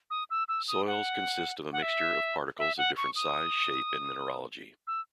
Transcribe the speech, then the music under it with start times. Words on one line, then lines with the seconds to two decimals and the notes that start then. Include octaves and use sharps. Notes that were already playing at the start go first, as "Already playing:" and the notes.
Soils consist of a mixture of particles of different size, shape and mineralogy.
0.10 D#6
0.30 E6
0.48 E6
0.68 D#6
0.87 F#5
1.73 F#5
1.82 E5
2.59 E5
2.78 F#5
2.97 C#6
3.16 D#6
4.87 E6